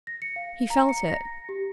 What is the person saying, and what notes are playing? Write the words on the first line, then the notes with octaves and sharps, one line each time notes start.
He felt it.
A#6
C#7
F5
A#5
C#7
A#6
G4